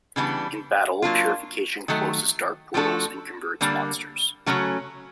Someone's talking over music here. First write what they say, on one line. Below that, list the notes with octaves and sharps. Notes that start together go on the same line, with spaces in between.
In battle, purification closes dark portals and converts monsters.
C#3 E3 G3 B3 D4
F#3 A#3 D4 F4
D#3 F#3 A3
F3 A3 D4 F#4 A4
D3 G3 A#3 D4
C#3 F#3 A3 C#4 F#4